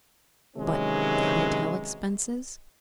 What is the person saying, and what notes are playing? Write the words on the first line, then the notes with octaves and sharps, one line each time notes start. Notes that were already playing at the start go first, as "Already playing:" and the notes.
"But the hotel expenses?"
C3 D#3 E3 F#3 G#3 C#4